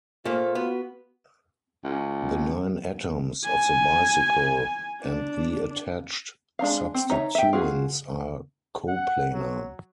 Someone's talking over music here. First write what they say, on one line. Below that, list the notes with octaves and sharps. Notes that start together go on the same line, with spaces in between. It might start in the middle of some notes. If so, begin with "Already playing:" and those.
The nine atoms of the bicycle and the attached substituents are coplanar.
A#2 A3 A#3 F4 C5
B3 F#4
C#2
G#5
D4
G#3 D4 D#4 F5
C4
D#4 C#5 E5 F5 A#5
E5 G5
F4 F#4 G#4
F#5
F#3